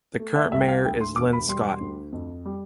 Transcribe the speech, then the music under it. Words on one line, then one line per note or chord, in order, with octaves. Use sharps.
The current mayor is Lynn Scott.
A3
E5
C2 E5
G5
F5
D2 G5
C6
E1 D6
B5
G3 C6
D2
F2
G3